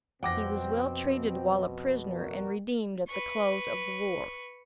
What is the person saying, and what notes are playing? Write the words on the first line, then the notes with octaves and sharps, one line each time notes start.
He was well treated while a prisoner, and redeemed at the close of the war.
F2 B2 C4 F#5 G5 D6 A#6
F#4 A#4
B4 C#6